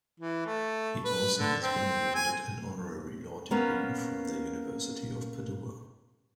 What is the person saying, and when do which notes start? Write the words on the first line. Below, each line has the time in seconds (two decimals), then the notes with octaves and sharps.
He also has been awarded an honorary law degree from the University of Padua.
0.20 E3
0.46 A3
1.05 B4
1.38 D3
1.63 C4
2.15 G#5
3.51 A#3 B3 C#4